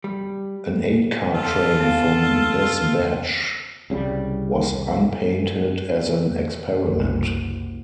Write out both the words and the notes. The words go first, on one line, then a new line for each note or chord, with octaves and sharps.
An eight car train from this batch was unpainted as an experiment.
G3
F4 A4
B3 F5
C2 C#3 F#3 G3
F#1 C2